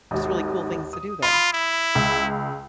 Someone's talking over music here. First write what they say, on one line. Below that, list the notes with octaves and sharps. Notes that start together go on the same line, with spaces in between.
just really cool things to do there.
G#1 D#2
D#6
F4 B5
E4
C#2